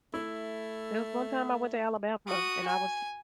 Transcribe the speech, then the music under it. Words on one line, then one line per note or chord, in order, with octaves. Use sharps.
There was one time I went to Alabama, and I was
A3 E4
F#4 D#6
G#5